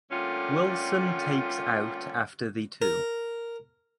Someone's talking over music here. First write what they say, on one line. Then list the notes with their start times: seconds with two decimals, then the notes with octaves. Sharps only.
Wilson takes out after the two.
0.11 D3 G3 A3 A#3 C#4 F4
2.82 A#4